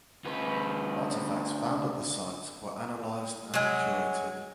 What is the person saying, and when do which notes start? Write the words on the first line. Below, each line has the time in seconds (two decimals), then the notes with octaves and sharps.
Artifacts found at the site were analyzed and curated.
0.25 D2 B4
3.54 F#3 G#3